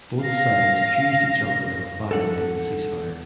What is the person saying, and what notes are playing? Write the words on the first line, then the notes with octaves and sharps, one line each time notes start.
Both sides accused each other of violating the ceasefire.
F5 A#6
A4 F#5